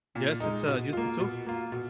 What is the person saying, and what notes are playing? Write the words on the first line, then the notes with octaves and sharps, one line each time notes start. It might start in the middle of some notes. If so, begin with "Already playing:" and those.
Yes, it's, uh, useful too.
A#2
G#3 D#4
B2
A#3 F4
B2
A#3 F4
B2